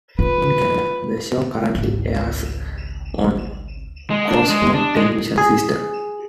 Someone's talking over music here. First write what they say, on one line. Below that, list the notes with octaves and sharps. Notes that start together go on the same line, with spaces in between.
In Canada, the show currently airs on Crossroads Television System.
F4 B4
G#1 C#2
G#3
D4
G#3
D4
G#3
G#4